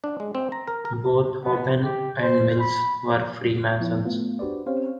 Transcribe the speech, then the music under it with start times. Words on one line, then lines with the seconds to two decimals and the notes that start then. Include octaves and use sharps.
Both Hoban and Mills were Freemasons.
0.04 D4
0.20 G#3
0.35 C4
0.52 A#5
0.68 A#4
0.85 A#4
1.45 B3
1.84 G4
2.22 C5
2.60 B5
3.80 F3 B3 E4
4.05 A3 B3 F4
4.39 D4 F#4 G4 B4 C5 D5
4.66 C4 C#4 G4 C5 C#5 F5